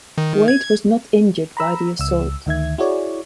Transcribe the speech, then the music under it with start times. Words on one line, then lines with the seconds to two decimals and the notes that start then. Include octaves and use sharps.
Wade was not injured by the assault.
0.18 D#3
0.48 G#6
1.57 A#5 B5 E6
1.99 C#2 E6
2.46 D2 D#3 E5 G#6
2.78 E4 F#4 G#4 C#5 D5